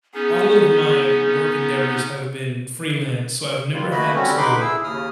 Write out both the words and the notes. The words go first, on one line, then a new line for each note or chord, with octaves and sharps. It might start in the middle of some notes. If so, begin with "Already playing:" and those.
all of my work endeavors have been freelance, so I've never had to
B3 C#4 D#4 G#4
G3 F4
A3 A#3 F#4 B4 D#5 B5
D3 G3 C4 C#4 F#4
D3 D#4 B4 B5 C6 D6
E4 G#4 E6
D#2 C#3 D#6 F6